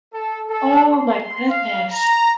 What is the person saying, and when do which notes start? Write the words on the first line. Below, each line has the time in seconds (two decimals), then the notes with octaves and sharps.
Oh, my goodness.
0.13 A4
0.47 A4
0.92 C6
1.50 F5
1.92 A#5